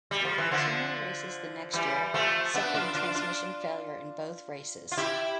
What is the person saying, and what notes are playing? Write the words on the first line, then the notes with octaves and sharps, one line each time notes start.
He ran two more races the next year, suffering transmission failure in both races.
G3
F3
E3
D3 F3
E3 G3
F3 A3
B3 D4
D4 F4
D4 F4
D4 F4
F4
E4 G4